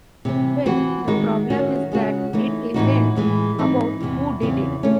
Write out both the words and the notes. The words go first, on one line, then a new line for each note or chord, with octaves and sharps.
Well the problem is that it isn't about who did it.
C3 E3 C4
E3 C4 F#4
D#3 G#3 D#4 F#4
D#3 A3 C#4 F#4
C#3 G#3 C#4 F#4
E3 A3 D#4
A2 E3 A3 D#4 F#4
A2 E3 G#3
G#2 E3 C4 D#4
E2 C3 E3
E2 C#3 E3 C4
A3 C#4